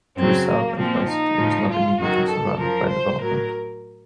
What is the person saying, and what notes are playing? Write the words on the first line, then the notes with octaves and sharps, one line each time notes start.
To the south and west it is not immediately surrounded by development.
F#2 C#3 F#3 C4
A#3
A#2 F3 C4
D#4
A2 F3
F4
F#2 D#3 F#3 F#4
A4
F#2 F3 A#4
C5
A2 F#3 A#4